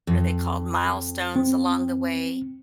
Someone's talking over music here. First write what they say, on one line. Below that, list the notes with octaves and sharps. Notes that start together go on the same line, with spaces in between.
what are they called- milestones along the way
F2
C4